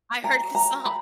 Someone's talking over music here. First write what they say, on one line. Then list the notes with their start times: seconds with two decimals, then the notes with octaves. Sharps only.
I heard the song.
0.24 A#5
0.55 A#5
0.85 B5